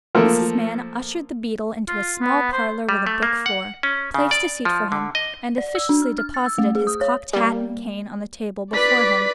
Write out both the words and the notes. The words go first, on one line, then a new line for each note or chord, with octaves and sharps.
Mrs. Mann ushered the beadle into a small parlour with a brick floor; placed a seat for him; and officiously deposited his cocked hat and cane on the table before him.
F3 A3 A#3 A#4
F4
B3
C5
G3
A3
A#3
F#5
C#4
C#3
D5
F3
D3
D#5
D5
E6
D4
F6
F6
A6
E6
A3
G#4
D#6
C#5
G3 A#3
B4 D5 B6